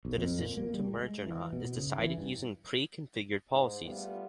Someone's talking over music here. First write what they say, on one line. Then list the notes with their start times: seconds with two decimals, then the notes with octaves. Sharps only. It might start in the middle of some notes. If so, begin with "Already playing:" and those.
The decision to merge or not is decided using pre-configured policies.
0.05 B1
0.18 F2
0.39 A#2
0.57 A#3
0.74 G3
0.94 G#3
1.26 E3
1.53 B2
1.77 C#3
1.99 E3
2.18 G2
3.52 G#2
3.83 G3 A3 B3 F4 G4